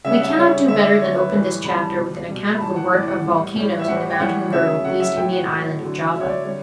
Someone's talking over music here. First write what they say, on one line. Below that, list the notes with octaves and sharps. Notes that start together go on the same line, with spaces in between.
We cannot do better than open this chapter with an account of the work of volcanoes in the mountain-girdled East Indian island of Java.
C#3 G3 E5
F#5
E5
C#3 G3 C#5
D3 A3 E5
D5
D3 A3 C#5
B4
A2 E3 G3 B4
A2 E3 G3 B5
A5
B2 G3
B2 G3
B5
A2 E3 G3 A5
F#5
A2 E3 G3 D5
F#5
A2 G3
A2 G3
E5
A2 E3 G3 F#5
G5
A2 E3 G3 F#5
C#3 F#3 A3 E5
C#3 F#3 A3 F#5
E5
A2 F#3 A3 G5
F#5
A2 F#3 A3
D3 F#3 A3
D3 F#3 A3 E5
C#5
D5
D3 G3 C#5